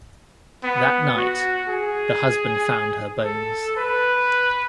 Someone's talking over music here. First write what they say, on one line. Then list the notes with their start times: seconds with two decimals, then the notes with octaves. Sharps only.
That night, the husband found her bones.
0.64 B3
1.16 F#4
1.68 G#4
3.25 A4
3.76 B4